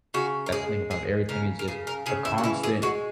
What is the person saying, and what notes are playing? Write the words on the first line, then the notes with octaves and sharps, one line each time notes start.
That's the thing about everything is just a constant
C#3 F#4
A#4
G#3 G#4
G#3 G#4
C#3 A#4
A#4
C#3 G#4
A#4
C#3 G#4
E4
F#4
E3 E4
G#4
G#3 F#4